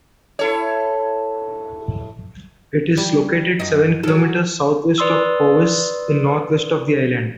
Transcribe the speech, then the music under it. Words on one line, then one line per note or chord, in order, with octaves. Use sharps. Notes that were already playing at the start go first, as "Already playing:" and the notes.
It is located seven kilometres southwest of Cowes in the northwest of the island.
E4 A4 C#5
G3
F#2 D#4
F#3 A4
B4 D5 C6 D#6 E6